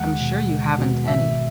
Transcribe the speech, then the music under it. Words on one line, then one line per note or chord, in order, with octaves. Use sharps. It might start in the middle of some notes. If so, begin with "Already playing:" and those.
I'm sure you haven't any.
Already playing: D#2 D#3 G#3 F#5
B2
G#3
B2
G#1 E5